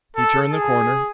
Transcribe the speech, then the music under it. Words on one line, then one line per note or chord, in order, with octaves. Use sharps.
He turned the corner.
A4
G#4